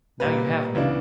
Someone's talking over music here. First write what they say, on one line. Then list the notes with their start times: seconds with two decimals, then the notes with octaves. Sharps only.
Now you have me!
0.20 A#2 G3 A#3 B4
0.75 C#2 C#3 E3 B3 D4